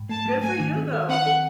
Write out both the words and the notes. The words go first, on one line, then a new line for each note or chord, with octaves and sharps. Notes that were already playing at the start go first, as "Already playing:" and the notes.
good for you, though.
Already playing: G#2
A3 A5
F#3
A3 G#5
D#3
C4
A4
C4 F#5
A4